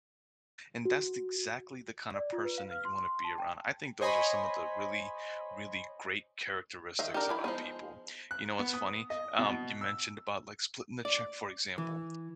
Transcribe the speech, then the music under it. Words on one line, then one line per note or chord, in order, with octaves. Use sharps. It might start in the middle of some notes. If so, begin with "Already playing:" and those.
and that's exactly the kinda person that you wanna be around, I think those are some of the really, really great characteristics about people. You know what's funny? Um, you mentioned about, like, splitting the check, for example,
F#4
D5
F4
B4
F5
F6
C6
C6
A5
G5
C5 C#5 D#5 G#5 B5 C6
D#3 D#4 E5 F5
D4 D#4 G4 A#4
F3 E4 B5
F3 G#3 B3 D#4
F#6
B3
D#6
D#5
B2
E6
D5
E3